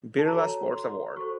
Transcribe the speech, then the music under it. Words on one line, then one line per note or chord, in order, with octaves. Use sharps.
Birla sports award.
A5
F#4 A4 C#5 A#5
C6
F#4 A4 C5 C#6